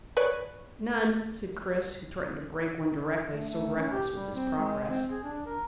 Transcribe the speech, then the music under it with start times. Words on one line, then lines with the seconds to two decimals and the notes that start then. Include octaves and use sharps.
"None," said Chris, who threatened to break one directly, so reckless was his progress.
0.17 B4 C#5 D5
3.32 A3
3.50 A3
3.76 C#4
3.92 G4
4.15 G3
4.35 C4
4.58 G#3
4.89 C4
5.10 G#4
5.24 D4
5.46 A#4